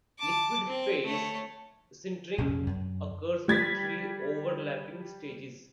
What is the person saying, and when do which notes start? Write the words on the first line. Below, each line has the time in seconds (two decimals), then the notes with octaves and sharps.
Liquid phase sintering occurs in three overlapping stages.
0.18 A5 D6
0.67 C4
1.05 A3 C#5
2.38 A#1 F2 C3 C#4
2.67 F#2
3.48 G3 G#6 A6 B6